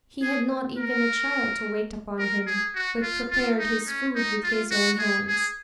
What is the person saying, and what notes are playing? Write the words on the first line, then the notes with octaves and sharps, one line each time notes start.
He had not even a child to wait upon him, but prepared his food with his own hands.
G#4
A#4
A#4
G#4
F#4
F4
F4
D#4
C#4
D#4
F4
F#4
G#4
G#4